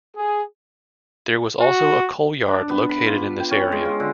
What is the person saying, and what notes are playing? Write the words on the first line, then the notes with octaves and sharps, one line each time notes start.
There was also a coal yard located in this area.
G#4
F#4
D4
B3
B5
F4
G5
C#4
G#3
F4
D3